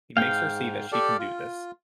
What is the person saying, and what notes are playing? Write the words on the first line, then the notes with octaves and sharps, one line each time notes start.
He makes her see that she can do this.
G#2 F5 G5
G4 A4 D5
F4